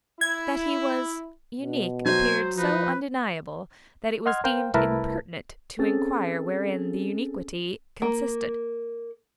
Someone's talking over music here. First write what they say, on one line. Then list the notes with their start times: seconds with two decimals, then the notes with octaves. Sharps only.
That he was unique appeared so undeniable, that it was deemed impertinent to inquire wherein the uniquity consisted.
0.21 E4 G#6
1.61 B2
2.06 F#3 C5 G#5
2.57 F3 D#4 B4
4.26 D#5 F#5 C6 F6 G#6
4.44 A#4 C5 F5 G5
4.74 C2 A3 E4 A#4 B4 A5
5.79 C4 C#4 G#4 A4 A6
8.02 A#3